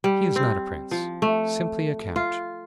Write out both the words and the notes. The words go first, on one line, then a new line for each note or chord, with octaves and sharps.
"He is not a prince; simply a count."
G3
C4
F3
A3
F4